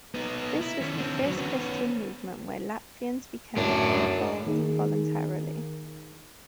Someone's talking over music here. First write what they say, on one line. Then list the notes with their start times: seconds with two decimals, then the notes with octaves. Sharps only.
This was the first Christian movement where Latvians become involved voluntarily.
0.15 B3 D#4
0.61 E4
0.81 D#3 C#4
0.97 D3 C4
1.23 E2 F#3
1.38 B3 C#4
3.57 F#2 A2 D4
4.46 D#3 A#3 D#4 G#4